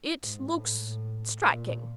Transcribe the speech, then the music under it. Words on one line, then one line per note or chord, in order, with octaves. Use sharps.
"It looks--striking."
G#2
A2
A2
A#2